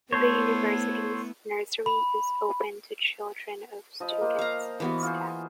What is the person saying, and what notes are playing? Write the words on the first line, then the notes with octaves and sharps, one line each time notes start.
The university's nursery is open to children of students and staff.
A3 B3 E4 A4 C5 C#5
B5
F3 D#5 B5
A#3 C5
F5 A#5
E3 B3 F#4
F4 G#4 C5